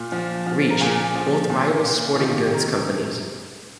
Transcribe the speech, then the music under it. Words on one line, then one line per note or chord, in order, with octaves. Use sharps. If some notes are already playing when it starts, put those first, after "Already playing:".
Reach, both rival sporting goods companies.
Already playing: A#2 F4
F3
F3
A#4
A#2 G#4
F3
A#2
A#2
F4
D#3 G4
G4
C3 A#4